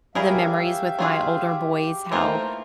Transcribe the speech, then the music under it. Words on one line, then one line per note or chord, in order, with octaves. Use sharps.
the memories with my older boys, how
G3 C#4 E4 G4 G#4 A#4 E5 F5
F#3 F4 G#4
E3 A3 A#3 D#4 F4 A#4 C5